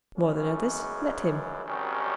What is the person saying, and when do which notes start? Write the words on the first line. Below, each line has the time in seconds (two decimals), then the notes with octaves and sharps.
"More than others--let him."
0.16 F#2 C#3 E3 G#3 C#4
1.66 G#1 F#2 D#3 G3 C#4